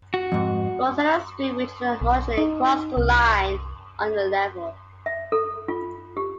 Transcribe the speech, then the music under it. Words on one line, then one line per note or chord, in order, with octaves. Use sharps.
Rosetta Street, which originally crossed the line on the level.
F#4
F2 G#2
B1
D#4
C2
E5
A4
F4
G4